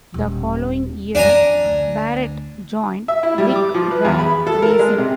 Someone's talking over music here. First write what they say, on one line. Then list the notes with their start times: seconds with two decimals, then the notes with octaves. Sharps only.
The following year, Barrett joined Rick Ware Racing.
0.14 D#1
1.15 F2 D4 G#5 A#5
1.64 D2
3.08 E5
3.23 E4
3.38 G3
3.56 D6
3.74 F3
3.91 B4
4.05 E2
4.19 B5
4.47 A4
4.62 A#4
4.79 G#3
4.98 C3